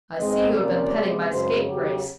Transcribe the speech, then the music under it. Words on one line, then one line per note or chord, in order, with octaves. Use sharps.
"I see you have been petting my scapegrace."
G#2 E3 G#3 C4 D#5
C3 F3 A#3 C#4 D5
C3 E3 G#3 B3
F#2 C#3 E3 G#3 C5
E2 C#3 F#3 B3 G4